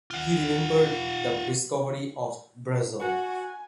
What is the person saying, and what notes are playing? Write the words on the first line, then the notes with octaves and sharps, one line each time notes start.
He remembered the discovery of Brazil.
F4 F#5
F#4 G#5